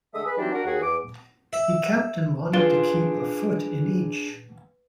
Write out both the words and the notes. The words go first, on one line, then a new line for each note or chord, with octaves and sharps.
He kept and wanted to keep a foot in each.
D3 G#3 A3 E5 D#6 E6
G#4 B4
E3 F#3 G3 C4 D4 D#4
D4 F#4 A#4
D#2 F#4 G#4
E2 D6
E5
D4 F4 G#4 B4 C6 A6